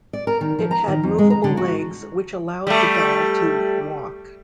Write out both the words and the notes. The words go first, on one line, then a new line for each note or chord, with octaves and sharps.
It had movable legs which allowed the doll to "walk".
D5
A#4
D#3
F3
A#5
D#3
F2
G#3
A#5
D3
F#4
G3 A3